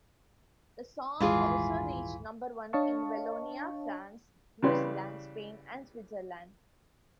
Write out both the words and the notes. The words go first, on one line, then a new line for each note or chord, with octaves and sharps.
The song also reached number one in Wallonia, France, New Zealand, Spain and Switzerland.
D#1 G#1 E3 G#3 F4 G#4
D4 C#5 D#5 F5 A5 C#6
C#3 E3 G3 B4 C#5 C6